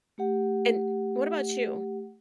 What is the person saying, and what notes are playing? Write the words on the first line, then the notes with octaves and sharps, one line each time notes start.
And, what about you?
A3 G4 F#5